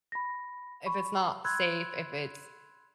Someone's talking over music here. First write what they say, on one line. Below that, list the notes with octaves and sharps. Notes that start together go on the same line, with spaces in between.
if it's not safe, if it's
B5 A#6
B5 C#6
B5 C6 E6 F#6 G#6